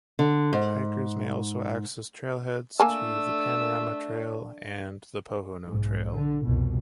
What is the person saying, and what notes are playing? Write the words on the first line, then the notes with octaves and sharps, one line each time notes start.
Hikers may also access trailheads to the Panorama trail and the Pohono trail.
D3
G#2
A3 A#3 D4 G#5 A5 E6
B1 G#2
D3
C2 F2 B2